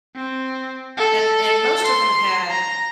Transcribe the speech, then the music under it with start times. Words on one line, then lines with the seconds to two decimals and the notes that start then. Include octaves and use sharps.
and and most of them had
0.15 C4
0.97 A4
1.85 C6
2.50 A#5